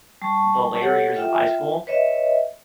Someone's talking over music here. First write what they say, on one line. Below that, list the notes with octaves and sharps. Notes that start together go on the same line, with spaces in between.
the later years of high school,
G3 A5 C#6
G4 A4 C#5 F#5
F4 E5 G5
B4 C#5 D#5 E5